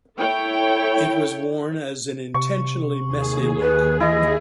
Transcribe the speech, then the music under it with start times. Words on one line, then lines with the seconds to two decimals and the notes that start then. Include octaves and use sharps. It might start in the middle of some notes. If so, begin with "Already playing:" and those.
It was worn as an "intentionally messy" look.
0.17 E4 A4 C#5 G5
2.34 C3 C#6
3.06 D#2 G#4
3.61 B4
4.00 E3 E4 D#5